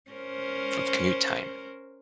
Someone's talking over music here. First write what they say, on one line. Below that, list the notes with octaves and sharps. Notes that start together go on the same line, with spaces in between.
f of commute time,
C#4 A#4 C5